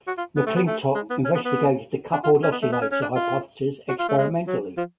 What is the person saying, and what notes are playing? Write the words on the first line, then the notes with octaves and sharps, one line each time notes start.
McClintock investigated the coupled oscillator hypothesis experimentally.
F#4
F4
B3
A3
B3
A3
G#3
B3
C#4
B3
B3
D4
F4
C#4
B3
A3
B3
C#4
C#4
D4
F4
F#4
F4
A3
G#3
F#3
F3